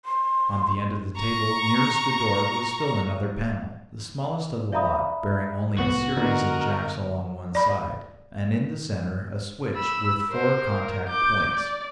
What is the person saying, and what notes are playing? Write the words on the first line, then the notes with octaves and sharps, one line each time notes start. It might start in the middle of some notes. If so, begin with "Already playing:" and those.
On the end of the table nearest the door was still another panel, the smallest of the lot, bearing only a series of jacks along one side, and in the center a switch with four contact points.
C6
A#5 C#6
D5 E5 F5 A#5 B5 D#6
C2 A2 B3 F#4
D3 B3 A#4 D#5 A#5
D5 B5
B5 E6
A#4 C5
A#4
D6 G6
D5